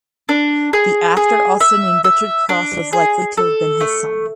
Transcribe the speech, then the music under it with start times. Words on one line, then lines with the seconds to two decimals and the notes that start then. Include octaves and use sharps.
The actor also named Richard Cross was likely to have been his son.
0.29 D4
0.73 G#4
1.17 G#4
1.61 E5
2.04 E5
2.49 D4
2.93 G#4
3.37 A4
3.81 A3